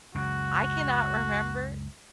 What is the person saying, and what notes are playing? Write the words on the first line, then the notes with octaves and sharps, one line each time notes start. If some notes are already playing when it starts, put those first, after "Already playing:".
I cannot remember.
C#2 F#2 C#3 F#4